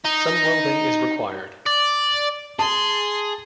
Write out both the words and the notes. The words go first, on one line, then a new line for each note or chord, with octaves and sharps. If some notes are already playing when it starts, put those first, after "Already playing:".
Some welding is required.
D#4
D5
G#4 A5 C6